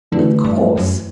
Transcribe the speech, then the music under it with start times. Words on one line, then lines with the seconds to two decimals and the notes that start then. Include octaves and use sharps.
"Of course."
0.12 D3 E3 A3 E4 G4
0.44 G2
0.77 F#2